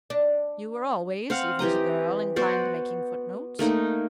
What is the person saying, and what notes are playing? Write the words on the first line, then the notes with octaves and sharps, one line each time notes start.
You were always, even as a girl, inclined to making footnotes.
D4
C4 C5 F5 F#5
E3 G4 D#5 A#5
B3 F#4 C5 D5
A3 A#3 D#4